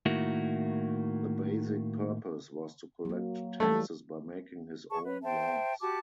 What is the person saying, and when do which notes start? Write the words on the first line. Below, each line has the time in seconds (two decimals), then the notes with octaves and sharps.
The basic purpose was to collect taxes by making his own laws.
0.06 A2 D#3 A#3 E4 F#4
3.05 F#3 A#3
3.60 E3 G3 A3
4.89 G#4 A5 C#6
5.05 B4 C#5
5.23 C5 E5 G5 A5
5.81 F#4 G4 A5 D6